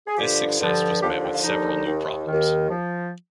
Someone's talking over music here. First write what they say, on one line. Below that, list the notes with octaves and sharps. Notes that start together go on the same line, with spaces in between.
This success was met with several new problems.
G#4
G2 D3 F3 G4
G2 D3 F3
D#2 D3 F3 G4
G4
F4
D#2 D3 F3 D#4
D#2 D#3
D#2 D#3
F3